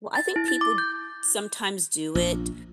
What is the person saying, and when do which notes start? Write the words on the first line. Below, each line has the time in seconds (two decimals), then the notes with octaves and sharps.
Well, I think people sometimes do it,
0.15 A6
0.36 E4
0.48 A6
0.61 D6
0.78 G6
2.15 A#1